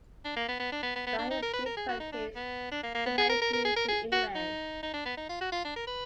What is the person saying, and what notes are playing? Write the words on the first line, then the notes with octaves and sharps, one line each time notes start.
By his mid-twenties he had moved to England.
D4
A#3
B3
B3
D4
B3
B3
B3
D4
D#4
A#4
B4
A#4
G#4
F#4
D#4
D4
B3
D4
A#3
A#3
B3
G#4
A#4
A#4
A#4
G#4
A#4
G#4
F#4
D#4
D#4
D4
B3
D#4
F4
F#4
F4
D4
A#4
B4